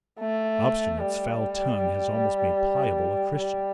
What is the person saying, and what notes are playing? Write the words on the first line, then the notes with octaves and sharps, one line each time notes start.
Obstinate's foul tongue has almost made Pliable a Christian.
A3
G3
G3